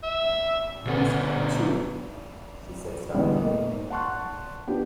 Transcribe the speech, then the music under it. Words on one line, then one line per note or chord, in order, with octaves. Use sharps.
"You must come too," she said stubbornly.
E5
D2 D3 B3
D3 E3 G3 G#3 B3 D4
A3 A#3 D#5
G#2
F#5 A5 C6 C#6 F#6
F3 B3 D4 G4